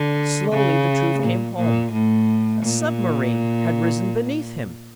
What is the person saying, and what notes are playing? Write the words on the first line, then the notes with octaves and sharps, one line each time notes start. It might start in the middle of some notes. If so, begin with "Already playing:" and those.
Slowly the truth came home: a submarine had risen beneath him.
Already playing: D3
C#3
A#2
A#2
A2
A#2